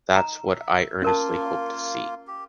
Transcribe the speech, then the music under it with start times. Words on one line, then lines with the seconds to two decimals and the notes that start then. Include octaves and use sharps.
That’s what I earnestly hope to see.
0.16 D#4 A#5
0.47 E5
1.02 A#3 C#4 F4 A#4 A5
2.27 G4